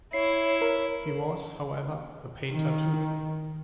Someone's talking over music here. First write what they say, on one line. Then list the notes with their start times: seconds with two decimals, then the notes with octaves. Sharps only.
He was, however, a painter too.
0.13 E4 C#5 C7
0.62 A#4
2.49 D#3